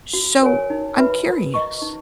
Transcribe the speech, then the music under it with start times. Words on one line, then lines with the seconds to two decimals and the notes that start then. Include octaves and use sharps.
So, I'm curious,
0.13 F#4
0.42 A#4 C#5 G#5
0.70 D#4
0.97 F#4 B4 E5 B5
1.25 A#4
1.54 D#5 A#5 C#6
1.82 D#4